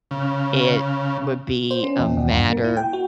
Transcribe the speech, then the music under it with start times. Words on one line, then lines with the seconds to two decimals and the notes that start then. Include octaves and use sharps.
it would be a matter
0.11 C#3
1.71 C5
1.84 C#4
1.99 E2
2.17 D#2
2.31 G2
2.50 A#3
2.64 E4
2.77 G5
2.93 F#4